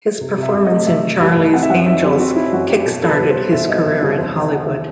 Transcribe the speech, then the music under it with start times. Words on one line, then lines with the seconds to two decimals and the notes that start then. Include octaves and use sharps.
His performance in Charlie's Angels kick-started his career in Hollywood.
0.21 C3
0.38 C3
0.43 E5
0.54 C3
0.65 D#5
0.70 A3
0.87 C3 E5
1.04 A3
1.20 C2
1.37 C2
1.53 C4 F#5
1.63 E5
1.70 F#2 F#5
1.86 D#4 E5
2.03 C4 G4
2.19 C4 F#4
2.36 D#4 E4
2.52 F#2 F#4
2.69 D#4 G4
2.86 B2 A4
3.02 C2 A4
3.08 B4
3.19 C2
3.30 C5
3.35 G3
3.52 B2 E5
3.69 C2 D#5
3.85 C2 E5
4.02 C2 E5
4.18 E2 C5
4.36 D#3
4.41 E5
4.52 D#3 F#5
4.63 E5